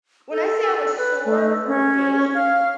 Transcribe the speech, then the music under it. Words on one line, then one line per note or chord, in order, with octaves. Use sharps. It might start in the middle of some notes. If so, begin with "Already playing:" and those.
when I say I was sore for days;
A4
B4
A3
C#4
F5